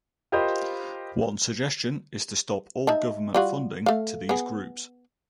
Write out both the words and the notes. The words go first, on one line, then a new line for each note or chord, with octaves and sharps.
One suggestion is to stop all government funding to these groups.
F4 G4 A#4 C5 D#5 B5
D#4 E5 A5
G3 F4 F#4
A3 F5
B3 G#4